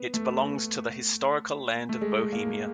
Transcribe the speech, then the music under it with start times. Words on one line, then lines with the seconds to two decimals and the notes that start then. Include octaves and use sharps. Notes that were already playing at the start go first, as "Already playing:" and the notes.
It belongs to the historical land of Bohemia.
Already playing: B3
0.14 A3
1.89 A3
2.01 G#3
2.33 A#3